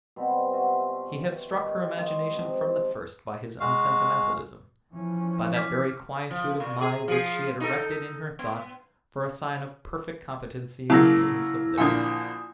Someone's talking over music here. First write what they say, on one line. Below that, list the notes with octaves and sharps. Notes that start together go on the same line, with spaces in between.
He had struck her imagination from the first by his unsentimentalism, by that very quietude of mind which she had erected in her thought for a sign of perfect competency in the business of living.
B2 G3 C4
F4 F#4 E5
D#3 G4 C#5
G#3 D#4 F4 G4
F3 C4
G#3 F#4 F5
E3 F3 C#4
D6 F6 B6
F3
A#2
C3 G#4
F3 G#4
D#4 A4
B3
C#3 F#3 A#3 E4 E6 A#6
A#1 A#2 D3 G#5 D#6